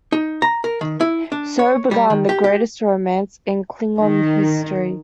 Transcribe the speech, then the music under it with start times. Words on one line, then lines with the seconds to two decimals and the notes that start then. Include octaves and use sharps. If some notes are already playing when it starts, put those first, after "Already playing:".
So began the greatest romance in Klingon history.
0.12 D#4
0.42 A#5
0.64 A#4
0.81 D#3
1.01 E4
1.32 D4
1.59 C#5
1.91 G3
2.10 D#3
2.29 G4
2.44 G4
4.00 D#3